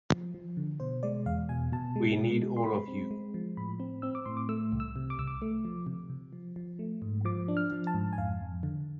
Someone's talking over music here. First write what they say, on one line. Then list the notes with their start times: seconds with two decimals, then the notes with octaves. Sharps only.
We need all of you.
0.11 F3
0.34 F3
0.57 D3
0.80 B2 C5
1.03 G#3 D5
1.26 E2 F5
1.49 B2 G#5
1.72 B2 A5
1.96 G#3
2.18 B2
2.42 G#3
2.57 C6
2.64 G#3 B5
2.88 C4
3.11 G#3
3.34 F3
3.57 A2 B5
3.80 C4
4.02 C4 E6
4.15 D6
4.26 A2 C6
4.37 D6
4.49 A3 E6
4.72 C2
4.80 E6
4.96 C3
5.10 D6
5.18 C2 E6
5.27 D6
5.42 A3
5.65 F3
5.87 C3
6.10 C3
6.33 F3
6.56 F3
6.79 A3
7.02 G#2
7.25 F3 D6
7.48 D4
7.57 F6
7.71 F3
7.87 A5
7.94 G#2
8.13 G#5
8.18 F2 F5
8.41 F2
8.63 D3